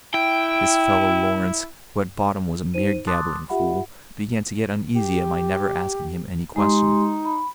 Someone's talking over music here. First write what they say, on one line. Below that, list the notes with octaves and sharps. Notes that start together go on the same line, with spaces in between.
This fellow Lawrence, who at bottom was a mere gabbling fool, began to get uneasy at my never asking him any questions.
E4 G5
D#4 C5 D#7
A5 C6 D6 D#6 F#6 A6
F4 G4 E5 F#5 B5
G4
G#3 D#4 G4 C6
B5